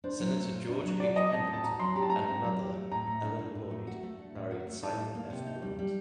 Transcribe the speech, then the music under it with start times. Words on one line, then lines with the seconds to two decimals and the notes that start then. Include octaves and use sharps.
Senator George H. Pendleton and another, Ellen Lloyd, married Simon F. Blunt.
0.04 D4 C5
0.20 F#3
0.36 A3
0.52 A#2
0.68 D4
0.83 F#3
1.00 F#4 D5
1.16 F#3 D#5
1.32 C4 A5
1.47 A2
1.53 A5
1.64 F#4 A#5
1.80 F#3 C6
1.96 G4 A#5
2.02 A5
2.10 A3 A#5
2.27 C4
2.44 F#3
2.59 G4
2.75 A3
2.91 A2 A#5
3.07 A3
3.23 D4
3.39 A2
3.55 A2
3.71 A3
3.87 F#4
4.03 A3
4.19 D4
4.35 A2
4.51 F#4
4.67 A3
4.83 D#4 A5
4.98 G3
5.15 A#3
5.30 C3
5.46 D#4
5.62 G3
5.79 G3